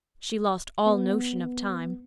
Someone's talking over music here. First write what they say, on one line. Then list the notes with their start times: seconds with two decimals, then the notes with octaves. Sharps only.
She lost all notion of time.
0.86 B3